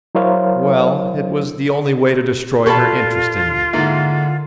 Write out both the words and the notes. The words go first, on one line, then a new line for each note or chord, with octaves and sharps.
Well, it was the only way to destroy her interest in me.
F#3 E4 A#4 C5 C#5 F5
A#2 F4 G4 A4 A5 B5 C#6
G#2 D3 A#3 E4